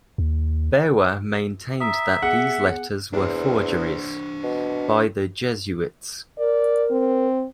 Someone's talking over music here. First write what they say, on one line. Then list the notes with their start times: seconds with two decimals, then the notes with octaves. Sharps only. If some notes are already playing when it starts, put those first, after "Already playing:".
Bower maintained that these letters were forgeries, by the Jesuits.
0.18 D#2
1.80 E5 A#5 D#6
2.22 B3 G#4 F#5 C#7
3.13 E2 D4 C5
4.43 B2
6.38 A#4 D5
6.91 C4